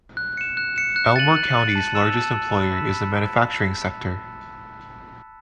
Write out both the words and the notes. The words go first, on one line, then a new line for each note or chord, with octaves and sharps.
Elmore County's largest employer is the manufacturing sector.
F#6
C#7 E7
F#6
C#7 E7
F#6
A6 D#7 F#7
F#6
A6 D#7 F#7
A5
E6 A6 E7
A5
E6 A6 E7
B5
E6 B6 E7
B5